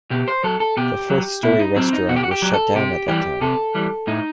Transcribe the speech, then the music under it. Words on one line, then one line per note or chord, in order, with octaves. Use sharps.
The Fourth Story restaurant was shut down at that time.
B2 G4
C5
F#3 A4
A4
B2 G4
F#3
B2 E4
D#4
F#3 C4
D#4
B2 F#4
G4
F#4
G4
F#3
A4
C3 G4
E3 G3 G4
C3 A4
E3 G3
A2 D#4